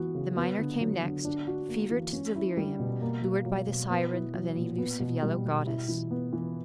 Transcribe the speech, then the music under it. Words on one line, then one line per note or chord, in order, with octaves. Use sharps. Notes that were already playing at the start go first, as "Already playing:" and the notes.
The miner came next, fevered to delirium, lured by the siren of an elusive yellow goddess.
Already playing: E3 B3 F#4
C#3
B3
D3
F#3
D3
D4
F#4
A#3
E3
C#4
E4
G3
B2
A#3
B2
F#3
B2
B3
E4
F#3
A#2
B3
B2
G3
B2
E4
E3
B3
E3